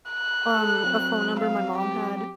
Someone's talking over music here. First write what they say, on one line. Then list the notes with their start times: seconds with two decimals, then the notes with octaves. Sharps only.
um, a phone number my mom had
0.11 F#6
0.54 A4
0.84 F#3 C4
1.40 F5
1.78 G4